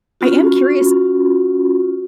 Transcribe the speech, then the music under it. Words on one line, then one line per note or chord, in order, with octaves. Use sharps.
I am curious
C#4 F4 F#4